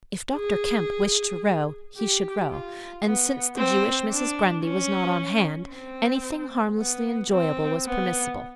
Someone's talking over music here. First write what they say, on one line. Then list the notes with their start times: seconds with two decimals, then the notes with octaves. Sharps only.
If Dr. Kemp wished to row, he should row; and since the Jewish Mrs. Grundy was not on hand, anything harmlessly enjoyable was permissible.
0.36 G#4
1.97 G4
2.51 F4
3.04 B3
3.57 C4
4.11 D4
4.65 C#4
5.71 C4
6.78 B3
7.32 C4
7.85 B3